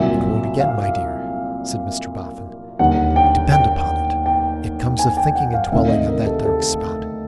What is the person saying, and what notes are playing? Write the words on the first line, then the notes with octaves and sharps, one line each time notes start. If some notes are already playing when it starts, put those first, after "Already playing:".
'And won't again, my dear,' said Mr Boffin. 'Depend upon it, it comes of thinking and dwelling on that dark spot.'
Already playing: C2 A#2 F#3 E5
F5
D#2 D3 G3 F#5
G5
G5
G5
G#5
G5
F#5
F5
D2 C3 D#3 E5
D#5
A#4
A4
A4